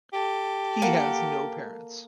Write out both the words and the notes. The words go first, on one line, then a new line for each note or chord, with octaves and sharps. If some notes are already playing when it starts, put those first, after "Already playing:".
He has no parents.
G4 A4
A#3 A#4 F#5